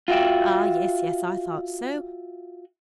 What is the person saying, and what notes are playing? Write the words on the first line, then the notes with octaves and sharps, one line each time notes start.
Ah, yes, yes; I thought so.
F4 F#4 E5 G5